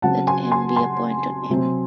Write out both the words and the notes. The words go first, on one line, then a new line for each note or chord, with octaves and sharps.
Let "m" be a point on "M".
C#3 F#3 C4 F#5 A5
G#5 C6
G#5 C6
G#5 C6
C3 F#3 C4